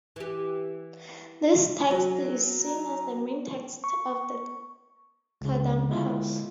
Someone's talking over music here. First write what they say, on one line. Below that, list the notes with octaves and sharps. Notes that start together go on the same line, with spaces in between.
This text is seen as the main text of the Kadampas.
E3 G4
F#3
A#5
C#6
C#2 C#3
D3 G#3 E4 F4